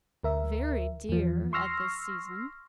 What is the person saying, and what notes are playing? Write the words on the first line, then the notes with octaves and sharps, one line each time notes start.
"Very dear at this season."
D2 A#4 E5
E2 F3
C6 C#6 E6 F6 A#6 C7